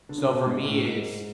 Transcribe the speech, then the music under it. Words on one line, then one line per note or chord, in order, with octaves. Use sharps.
So for me, it's
D3
C#3
B2
G#2
A2
G#2